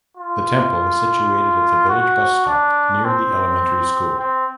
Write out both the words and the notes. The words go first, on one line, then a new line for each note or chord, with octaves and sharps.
The temple is situated at the village bus stop near the elementary school.
F4
F#4
D4
C4
C4